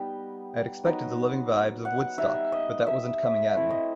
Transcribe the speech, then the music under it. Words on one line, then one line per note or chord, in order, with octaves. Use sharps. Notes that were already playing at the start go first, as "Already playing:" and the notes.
I had expected the loving vibes of Woodstock but that wasn't coming at me.
Already playing: G3 B3 D#4 G5
F#3 B3 D#4
F#5
G3 D#4 E5
D#5
E5
A3 C4 E4
D#5